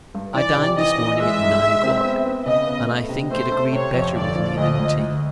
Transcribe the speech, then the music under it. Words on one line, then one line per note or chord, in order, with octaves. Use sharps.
I dined, this morning, at nine o'clock; and, I think, it agreed better with me than tea.
G2
E3 D5
C3
E3 D#5
E3
G#3 E5
B1
G#3
C4
B3
B3
C#3 D#5
B3
A3
C3
A3 C5
A3
C3 C#5
F2
G1 D5
F3
D2 D#5
D2
D2